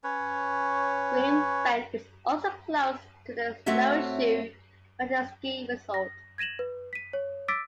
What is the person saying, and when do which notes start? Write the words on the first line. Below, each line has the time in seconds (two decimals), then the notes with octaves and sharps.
Green Bank is also close to the Snowshoe Mountain ski resort.
0.04 C#4 B4 C#5
3.66 A3 C4 F#4 C#5 E5
5.94 A#6
6.38 G#6 A#6 D#7 E7 F#7
6.59 B4
6.93 B6 D#7
7.13 C#5
7.48 D6 E6 A6 B6 D7